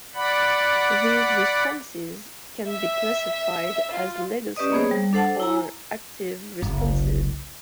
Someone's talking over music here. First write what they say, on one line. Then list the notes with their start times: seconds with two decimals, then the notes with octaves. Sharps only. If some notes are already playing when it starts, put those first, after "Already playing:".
These responses can be classified as legacy or active responses.
0.15 D5 F#5 B5
2.67 E5
3.91 F4
4.56 C#4 G4 B4 D5 D#5 D#6
4.72 A#3 B3 G#4 C5 C#5
4.91 G3
5.13 D4 A4 C5 F#5 A5
5.40 E4 G#5 A#5
6.62 F#1 C2